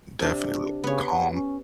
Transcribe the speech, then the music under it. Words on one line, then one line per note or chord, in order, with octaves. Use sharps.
Definitely calm.
C3 D4
C#3 B3 C#5
F#5
C#4